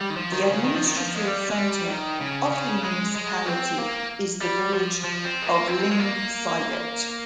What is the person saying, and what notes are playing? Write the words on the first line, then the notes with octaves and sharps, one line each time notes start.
The administrative centre of the municipality is the village of Lyngseidet.
G3
D#3
F3
D#3
C#3
D#3
F3
D#3
F3
G#3
G3
G#3
G3
D#3
C#3
C#3
G#3
G#3
C4
A#3
G3
F3
F3
C4
G#3
A#3
C4
G#3
A#3